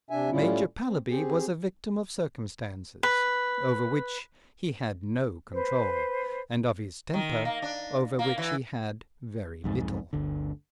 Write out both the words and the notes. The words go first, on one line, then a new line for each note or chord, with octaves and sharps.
Major Pallaby was a victim of circumstances, over which he had no control, and of his temper, over which he had very little.
C3 D4 E5 G#5
A2 G3 C#4 E4 F4
C4
C4 G4 G#4
B4
B4 C5
D#3
A#3
D4
A#3
E3
B1 F2 G#2
G1 D2 D3